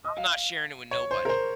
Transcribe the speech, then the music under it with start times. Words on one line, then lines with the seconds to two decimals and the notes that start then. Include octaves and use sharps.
I'm not sharing it with nobody.
0.04 D#5
0.17 F5
0.91 C#5
1.11 C5
1.25 A#4
1.29 C5